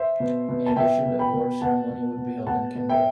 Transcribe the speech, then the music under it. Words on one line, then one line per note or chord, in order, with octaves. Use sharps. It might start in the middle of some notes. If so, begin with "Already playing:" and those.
In addition, the awards ceremony would be held in Canberra.
Already playing: C5 E5
B2
B2
A5
B2 E5 G5
B2
G5 B5
B2
B2 F#5 A5
B2
B2
B2 F#5 A5
B2
E5 G5